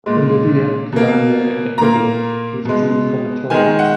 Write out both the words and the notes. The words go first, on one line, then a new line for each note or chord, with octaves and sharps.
Bolivia, Colombia, and Ecuador withdrew from the tournament.
A#2 G#3
B2 A#3
A#2 A#3 A#5
B2 G#3
D#3 G#3 G#5
F#5